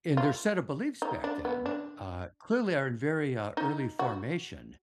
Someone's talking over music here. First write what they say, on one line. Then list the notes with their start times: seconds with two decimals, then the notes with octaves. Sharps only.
And their set of beliefs back then, uh, clearly are in very, uh, early formation,
0.17 F4
1.02 D#4
1.24 D4
1.45 B3
1.66 D4
3.57 D#4
3.99 F#4